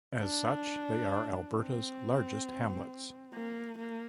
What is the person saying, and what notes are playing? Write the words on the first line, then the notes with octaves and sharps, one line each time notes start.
As such, they are Alberta's largest hamlets.
D4
C4
A#3
A#3